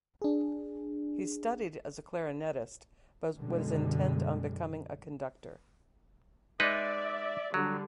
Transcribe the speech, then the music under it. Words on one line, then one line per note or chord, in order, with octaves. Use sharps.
He studied as a clarinettist, but was intent on becoming a conductor.
D4 G#4
F#2 B2 D3 G3 G#3
G#3 D#4 B4 D5 E5
D3 F#3 G3